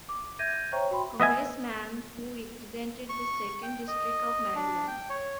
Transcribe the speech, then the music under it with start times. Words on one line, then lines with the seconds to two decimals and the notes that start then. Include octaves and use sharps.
Congressman who represented the second district of Maryland.
0.09 D6
0.39 E5 G6 G#6 A#6 D#7
0.72 C5 C#5 E5 G5 A#5 C#6
0.91 F#4 G5 B5 C6
1.20 B3 D#5 E5 G#5
3.09 C#6
3.63 G5
3.88 D#5
4.55 D4
4.87 G5
5.09 C#5